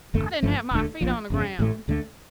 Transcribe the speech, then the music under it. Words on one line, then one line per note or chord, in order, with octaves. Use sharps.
I didn't have my feet on the ground.
G1 F2 D3 A3
G1 G2 F3 A3
E1 D2 D3 A3
A#1 A#2 F3
G1 F2 C#3
A1 A2 E3 A3
D2 D3 A3